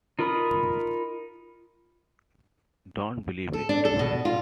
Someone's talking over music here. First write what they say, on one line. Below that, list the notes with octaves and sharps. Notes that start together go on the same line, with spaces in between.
Don't believe it.
D#4 F4 A#4 B5 D#6
A4
D4
A4
B2
F4